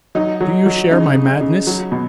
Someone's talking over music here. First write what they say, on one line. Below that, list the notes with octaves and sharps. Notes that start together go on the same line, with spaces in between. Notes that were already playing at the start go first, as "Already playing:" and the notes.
Do you share my madness?
F#3 D#4
F#3
F#3
C#3 D#4
C#3
C#3
F#3
B2